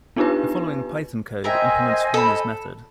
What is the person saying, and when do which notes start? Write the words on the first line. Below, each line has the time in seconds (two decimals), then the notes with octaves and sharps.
The following Python code implements Horner's method.
0.16 B3 D4 D#4 F4 G4 B4
1.44 A#4 C5 D#5 E5 G5 G#5
2.14 A4 A5 B5